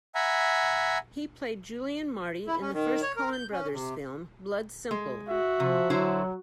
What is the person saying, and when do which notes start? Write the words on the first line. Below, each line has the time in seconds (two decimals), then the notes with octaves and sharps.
He played Julian Marty in the first Coen Brothers film, "Blood Simple".
0.15 E5 F#5 G#5 A#5 B5
2.47 E4
2.61 C#4
2.73 D#3
3.02 C#5
3.16 A#4
3.33 G6
3.52 C#4
3.73 C3
4.91 G#3
5.28 F#4 E5
5.60 C3 F3
5.90 D3 F#3 E4 C5